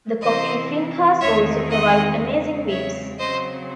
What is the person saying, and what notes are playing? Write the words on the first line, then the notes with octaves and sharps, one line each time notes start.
The coffee "Fincas" also provide amazing views.
C3 E3 C4 C5 D#5
E2 D#3 A3 C4 D#4 C#5 E5
D#5 F#5
E2 C#3 G#3 C4
C#5 E5
C#3 F#3 C4 C5 D#5